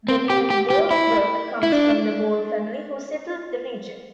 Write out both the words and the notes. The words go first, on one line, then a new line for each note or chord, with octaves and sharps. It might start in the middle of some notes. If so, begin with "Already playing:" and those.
The name "Boalsburg" comes from the Boal family who settled the region.
C4
G4
G4
G4
E4
E4
D4